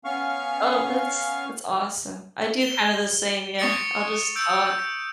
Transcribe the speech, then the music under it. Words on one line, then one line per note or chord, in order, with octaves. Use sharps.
Oh, that's that's awesome. I do kinda the same, yeah, I'll just talk
B3 C#4 F5 C#6 F6
F7 G7
C#6 D#6 A6 C#7 D7
E6 G6 D7